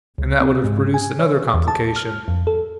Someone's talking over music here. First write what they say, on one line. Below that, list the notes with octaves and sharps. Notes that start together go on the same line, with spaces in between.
And that would have produced another complication.
C#2
C4
G#2
G#5
C#5
E2
A5
F6
F2
A4